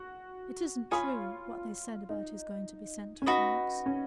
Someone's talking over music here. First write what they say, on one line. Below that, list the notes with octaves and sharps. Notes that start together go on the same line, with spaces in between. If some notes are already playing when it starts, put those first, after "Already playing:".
It isn't true, what they said about his going to be sent to France.
Already playing: F#4
F4 C#5 G#5 B5 D#6
D#4
C#4
D#4 F#4 B4 D#5
C#4